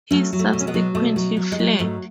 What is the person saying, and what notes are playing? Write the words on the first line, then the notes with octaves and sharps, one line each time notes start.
He subsequently fled.
F#3 A3 C#4
F#3
A3
B2
C#4
G#3 B3
F#3
B2 A3
F#3
F#3
G#3
F#3
G#2 A3